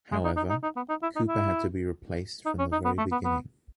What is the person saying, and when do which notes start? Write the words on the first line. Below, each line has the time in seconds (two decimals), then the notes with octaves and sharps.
However, Cooper had to be replaced from the very beginning.
0.12 G#3
0.24 D#4
0.37 D#4
0.50 D#4
0.63 D#4
0.76 B3
0.89 D#4
1.03 E4
1.16 D#4
1.28 E4
2.46 D#4
2.59 C#4
2.72 D#4
2.85 B3
2.98 A3
3.12 B3
3.25 B3